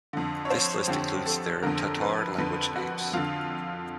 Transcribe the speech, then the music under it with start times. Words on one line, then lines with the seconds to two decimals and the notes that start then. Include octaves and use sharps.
This list includes their Tatar language names.
0.13 F2 D3
0.45 C#5
0.50 C5
0.88 F2 D3 G4
1.26 A4
1.63 F2 D3 A#4
2.01 B4
2.38 F2 D3 B4
2.76 F#4
3.13 F2 D3 F4